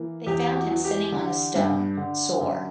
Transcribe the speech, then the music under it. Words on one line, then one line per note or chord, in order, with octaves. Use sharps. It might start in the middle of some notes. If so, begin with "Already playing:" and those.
They found him sitting on a stone, sore.
Already playing: E3 A#3
E2 G4
F#4
E3
G4
D3
G2
D3
F#2